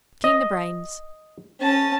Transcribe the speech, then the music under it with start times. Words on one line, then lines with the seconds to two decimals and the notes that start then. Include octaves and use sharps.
Clean the brains.
0.24 D#5
1.61 C#4 A5